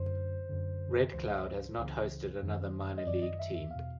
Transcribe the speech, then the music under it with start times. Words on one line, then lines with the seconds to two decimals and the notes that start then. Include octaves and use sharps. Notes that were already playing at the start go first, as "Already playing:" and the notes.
Red Cloud has not hosted another minor league team.
Already playing: F#2 D3 C5
0.49 F#2 D3
1.13 C#2 C#3 E3 C5
1.78 C#2 C#3 E3
2.42 F#2 D#3
2.97 D#5
3.06 F#2 D#3 D5
3.22 D#5
3.39 E5
3.55 E5
3.71 E2 B2 F5